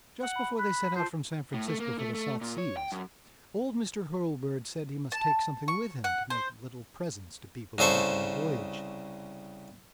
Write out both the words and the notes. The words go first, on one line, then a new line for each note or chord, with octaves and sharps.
Just before they set out from San Francisco for the South Seas old Mr Hurlbird said he must take something with him to make little presents to people he met on the voyage.
F#5
B5
B5 F#6
F4 C5 A5
A2
A3
A#3
A3
A3
A#2
C#5
G5
F#2
A5
C#6
F#5
C5
C2 C#3 A4 C5 C#6